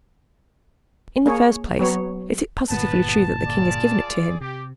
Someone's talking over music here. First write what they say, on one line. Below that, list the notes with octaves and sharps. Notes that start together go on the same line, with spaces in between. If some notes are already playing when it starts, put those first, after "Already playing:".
"In the first place, is it positively true that the king has given it to him?"
A#3 G#4 C#5
F#3 B3 C#5
G1 A#2 B3 A5
F4 G#4 D5
C3 G4